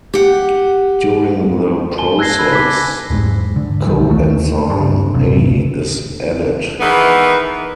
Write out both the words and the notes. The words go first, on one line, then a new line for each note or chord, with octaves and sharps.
During the process, coenzyme A is added.
G4 F#5
G#5 A5 G7
E6 F#6 G#6 A#6 C7
B5
D6 B6
E2 G#2 G#3
D3
B1 D#3 G3
D#2 D#3 A3
G2
D#1 A1 G2 C3
D#3 E3 G#3 B3